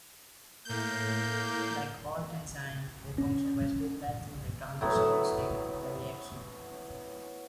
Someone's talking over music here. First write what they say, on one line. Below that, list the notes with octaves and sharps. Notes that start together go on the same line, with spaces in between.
Like all enzymes, they function by stabilizing the transition state of the reaction.
A2 A#3 G6
C#4
A2 F#3 B3